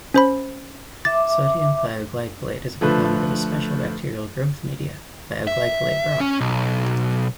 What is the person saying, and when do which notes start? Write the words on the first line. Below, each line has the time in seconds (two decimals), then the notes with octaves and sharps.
Sodium thioglycolate is a component of a special bacterial growth media : thioglycolate broth.
0.14 C#4 C5 B5
1.05 E5 D6 A6
2.81 D3 F3 A3 B4
5.47 E5
6.20 C#4
6.41 B1